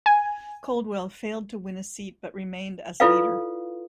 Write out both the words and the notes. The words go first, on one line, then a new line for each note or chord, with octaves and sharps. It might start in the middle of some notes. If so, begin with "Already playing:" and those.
Coldwell failed to win a seat but remained as leader.
G#5
E4 F4 A4 B4 D5 F5